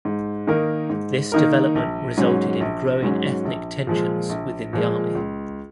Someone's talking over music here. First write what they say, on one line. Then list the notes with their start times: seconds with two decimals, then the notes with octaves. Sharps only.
This development resulted in growing ethnic tensions within the army.
0.05 G#2
0.47 D#3 A#3 D#4 A#4
0.90 G#2
1.32 D#3 A#3 D#4 A#4
1.75 A#1
2.17 G#2 F#3 C#4
2.60 A#1
3.02 G#2 F#3 C#4
3.45 A#1
3.87 A#2 F3 G#3
4.29 A#1
4.73 A#2 F3 G#3
5.15 C#2